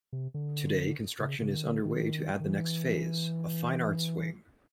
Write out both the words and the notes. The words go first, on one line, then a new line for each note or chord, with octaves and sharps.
Today, construction is underway to add the next phase; a Fine Arts wing.
C3
D3
C#3
C#3
D#3
D3
D#3
D#3
E3